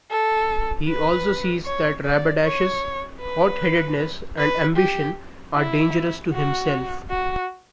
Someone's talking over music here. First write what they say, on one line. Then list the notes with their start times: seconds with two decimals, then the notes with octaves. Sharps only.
He also sees that Rabadash's hot-headedness and ambition are dangerous to himself.
0.11 A4
0.88 B4
1.66 C#5
2.05 D5
2.44 C#5
3.21 B4
4.38 B4
4.77 G4
5.55 E4
6.32 F#4
7.10 F#4